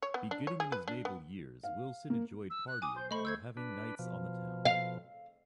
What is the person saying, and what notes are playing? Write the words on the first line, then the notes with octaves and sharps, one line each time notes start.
Beginning in his naval years, Wilson enjoyed partying and having nights on the town.
C#5
B3
D4
C#5
G#4
B4
D4
B3
F5
A#3
E6
F#6
G#5 D6 D#6
C5 G6
A3 C5 D#5 B5 C#6
E6 G6 G#6
D4 B4
B2 F3
F5